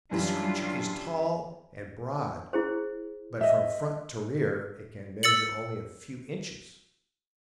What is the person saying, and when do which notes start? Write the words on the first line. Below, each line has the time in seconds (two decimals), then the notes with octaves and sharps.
This creature is tall and broad, but from front to rear it can measure only a few inches.
0.11 F#2 E3 F#3 G3 D4 F4
2.53 E4 G#4 C5
3.41 D#5 E5
5.23 E6 A6 C#7 F#7